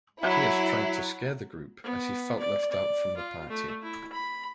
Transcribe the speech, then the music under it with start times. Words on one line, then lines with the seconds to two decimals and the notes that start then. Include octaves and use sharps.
Pierce tried to scare the group as he felt left out from the party.
0.23 F#3 E4
1.83 B3
2.39 D5
2.71 D5
3.17 F4
3.49 A3
3.83 E4
4.12 B5